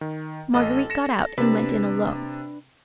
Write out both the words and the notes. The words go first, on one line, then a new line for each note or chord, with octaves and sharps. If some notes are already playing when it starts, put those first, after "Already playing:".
Marguerite got out and went in alone.
D#3
A1 A4 D#5
A#6 C#7 E7
C3 D4 B4